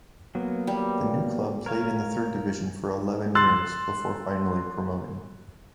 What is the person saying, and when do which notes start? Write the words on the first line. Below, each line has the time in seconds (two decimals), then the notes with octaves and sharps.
The new club played in the third division for eleven years, before finally promoting.
0.35 F#3 A#3 B3
0.67 G3
1.66 A#4 C#5 F5
3.35 C6 E6 F#6 A6 C7